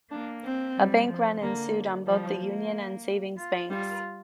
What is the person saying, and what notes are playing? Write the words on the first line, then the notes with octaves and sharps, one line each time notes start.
A bank run ensued on both the Union and Savings Banks.
A#3 D4
C4
G3
F3
D3 A#3
F3 G3
A#3
F4
G3 F4